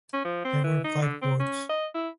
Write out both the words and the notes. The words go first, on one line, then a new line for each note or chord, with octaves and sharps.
There were five wards.
C#4
F3
C4
E3
D#4
D3
C4
C#4
D#5
E4